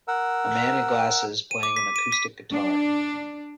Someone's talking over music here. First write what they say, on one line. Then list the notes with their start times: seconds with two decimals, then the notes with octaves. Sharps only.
A man in glasses playing an acoustic guitar.
0.08 A#4 F#5 E6
1.51 D#7
1.63 D6
1.76 B6
1.96 D#7
2.12 B6
2.50 D4